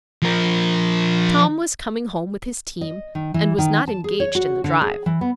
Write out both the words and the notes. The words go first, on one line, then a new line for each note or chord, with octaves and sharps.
Tom was coming home with his team and was not engaged in the drive.
F3 A#4
D#5
D#3
E3
D#3
A5
G#4
C#5
F#4
D3
G#4
E3
B3